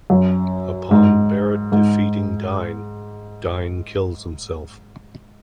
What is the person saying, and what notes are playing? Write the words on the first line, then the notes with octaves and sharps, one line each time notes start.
Upon Barret defeating Dyne, Dyne kills himself.
F#2
G#2
G#2